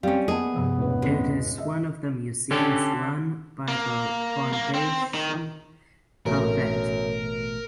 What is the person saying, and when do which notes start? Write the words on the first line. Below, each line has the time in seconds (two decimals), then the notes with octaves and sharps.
It is one of the museums run by the Fondation Calvet.
0.03 G3 C4 C#4 F5
0.28 A#3 B3 G#4 D#5 A5
0.54 G2 C3 F3
0.78 E1 A1 B4
1.02 G#3 C4 C#4 A#4
1.58 D#5 E5
2.51 D3 C#4 G4 A4
3.68 A#3
4.53 A#3
4.74 C4
5.14 D#3
6.26 A1 F#2 B2 A3 A#4